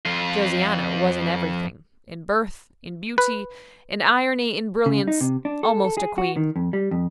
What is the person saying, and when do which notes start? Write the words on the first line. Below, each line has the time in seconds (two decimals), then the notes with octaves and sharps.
Josiana was in everything--in birth, in beauty, in irony, in brilliancy--almost a queen.
0.05 F2 F4
3.18 B4
4.86 C#3
5.08 D#4
5.21 C3
5.45 D4
5.63 A4
5.85 A4
5.97 G#4
6.18 F#4
6.36 D#3
6.56 F2
6.73 G3
6.91 F2